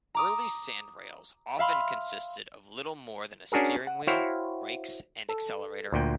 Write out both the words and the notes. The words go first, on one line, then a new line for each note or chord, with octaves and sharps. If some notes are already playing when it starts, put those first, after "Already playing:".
Early sandrails often consisted of little more than a steering wheel, brakes and accelerator.
A#5 D6 D#6
E5 F5 B5 C6
C#4 D4 F#4 G#4 A#4
F#5
E4 F#4 C5 C#5 F5 G5
A4
D2 A#2 G5